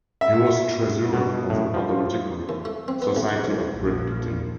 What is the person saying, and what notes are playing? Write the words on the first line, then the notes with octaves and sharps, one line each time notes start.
He was treasurer of the Pathological Society of Great Britain.
E5
B2
A2
F3
D#2
A3
C4
B3
B1
A#5
F#3
A#1 F3